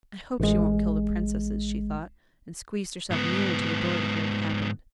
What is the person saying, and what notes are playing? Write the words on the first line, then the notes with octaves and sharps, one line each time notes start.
"I hope she won't kill the Princesses," she thought, and squeezed herself nearer to the door to hear what happened.
A1 G#3
G#2 B3